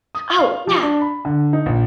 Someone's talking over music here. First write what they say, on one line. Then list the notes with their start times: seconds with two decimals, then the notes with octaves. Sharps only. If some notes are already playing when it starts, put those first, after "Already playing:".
Oh, yeah!
0.15 D#6
0.39 F5
0.67 F3
0.83 D4
1.02 B5
1.25 D3
1.53 D#4
1.66 A#1